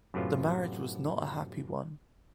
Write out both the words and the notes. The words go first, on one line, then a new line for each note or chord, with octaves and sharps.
The marriage was not a happy one.
F#2 A2 C3 F#3 B3 F4